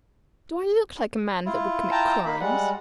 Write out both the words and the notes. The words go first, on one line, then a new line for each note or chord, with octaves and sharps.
"Do I look like a man that would commit crimes?"
E4 F4
G5 A5 A#5
A#3 D#4 B5
G3 G#3 F#5